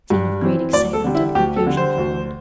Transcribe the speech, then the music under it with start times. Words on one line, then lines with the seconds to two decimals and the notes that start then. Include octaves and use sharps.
A scene of great excitement and confusion followed.
0.10 G2
0.42 E3 C4
0.73 D2 D5
0.93 A4
1.04 D3 G3
1.15 E4
1.35 D2 G4
1.56 A4
1.66 D3 G3
1.77 C5
1.98 D2